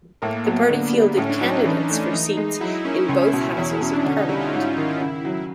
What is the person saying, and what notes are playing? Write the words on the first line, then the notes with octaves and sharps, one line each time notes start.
The party fielded candidates for seats in both houses of Parliament.
A2 A#3
F#3 B3
D3
G3
A2 C#4
D4
F#3 D#4
D#4
E3
A3
E3
G#3
F#3 E4
A#3 C#4
C#4
C#2 C#4
E4
B2
E4
E2 E4
B2 E4
D4
D3 C#4
D#4
G3 E4
F4
G#2 D#4
E4
D#3 F4
E4
C#3
F#3